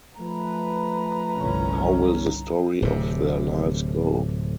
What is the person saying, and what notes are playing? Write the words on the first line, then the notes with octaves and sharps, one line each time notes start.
How will the story of their lives go?
F3 A3 B4 A#5
G1 C2 C#4
D1 A2 C3